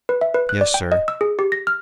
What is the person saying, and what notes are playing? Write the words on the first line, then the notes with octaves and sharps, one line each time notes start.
"Yes, sir."
B4
E5
B4
F#6
D5
G5
D#5
E6
G#4
G4
A#6
F6